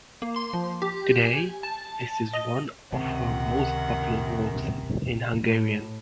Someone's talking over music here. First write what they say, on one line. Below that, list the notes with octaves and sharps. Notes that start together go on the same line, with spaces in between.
Today, this is one of her most popular works in Hungarian.
A#3
C6
F3
G4
G#5
A5
D#5
C#2 F#2 C3 D#3 F#5
A2